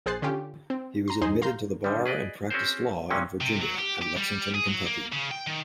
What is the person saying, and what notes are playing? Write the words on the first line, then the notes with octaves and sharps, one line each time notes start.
He was admitted to the bar and practiced law in Virginia and Lexington, Kentucky.
A#1 G#4 C5 F#6 A6 C7
D3 C#4 F4 G4
C4
A#5 C6
E2 D#4 G#4 C5 C6
F5 A#5 C6 G6
G2 D3 D#3 G3
G#4 B4 D5 D#5
C4 C#4 F#4 G#4 A#4 C5
E2 G2 C3 F#3 A#3 C#4
C3
F#3
G4
G4
G3
G#4
F#3
A#3
C#3
G5
D#3